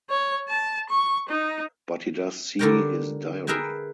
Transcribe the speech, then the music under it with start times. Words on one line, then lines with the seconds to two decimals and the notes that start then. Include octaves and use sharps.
But he does see his diary.
0.10 C#5
0.49 A5
0.89 C#6
1.29 D#4
2.59 D3 G3 D4 A#4 C#5 G5
3.47 G#4 A#4 B4 E5 G5 G#5